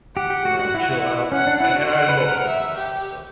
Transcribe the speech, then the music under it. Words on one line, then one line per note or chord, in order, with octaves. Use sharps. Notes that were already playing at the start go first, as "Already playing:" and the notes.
you know, chill out an and I do all the cooking also, so
G4 F#5
G4
F#4
F#4
E4
F#4
E4
C#4 F#5
D4
E4 F#5
F#4
F#5
B4
A#4
E5
G4